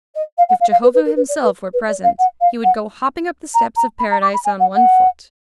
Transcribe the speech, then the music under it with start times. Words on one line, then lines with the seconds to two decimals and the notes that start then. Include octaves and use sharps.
If Jehovah himself were present, he would go hopping up the steps of paradise on one foot.
0.15 D#5
0.38 F5
0.49 F#5
0.60 F5
0.71 F5
0.83 B4
0.94 B4
1.05 A#4
1.16 B4
1.28 D5
1.43 B4
1.73 B4
1.88 D5
2.03 F5
2.19 F#5
2.40 F5
2.64 F#5
3.54 A#5
3.76 A#5
3.99 B5
4.11 A#5
4.21 D6
4.33 B5
4.44 G#5
4.60 F#5
4.75 F#5